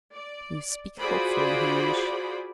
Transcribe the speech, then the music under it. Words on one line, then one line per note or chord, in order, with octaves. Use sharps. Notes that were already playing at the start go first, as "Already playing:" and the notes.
"You speak hopefully, Hamish."
D5
F4 F#4 G#4 C5 D5 B5